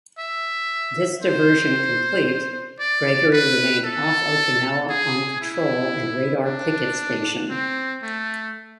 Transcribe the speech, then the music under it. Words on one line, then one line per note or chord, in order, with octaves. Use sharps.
This diversion complete, "Gregory" remained off Okinawa on patrol and radar picket station.
E5
C5
D5
B4
A4
G#4
E4
D4
C4
A3